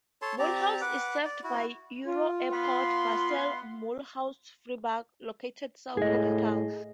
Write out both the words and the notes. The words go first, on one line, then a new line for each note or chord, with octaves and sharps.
Mulhouse is served by EuroAirport Basel-Mulhouse-Freiburg, located south of the town.
A4 C#5 A5 C6
C4 G4 D5 A#5
B4 F#5 D6
D5
E4 F#4
F4
B3 F5 C6
A2 G#4 D#5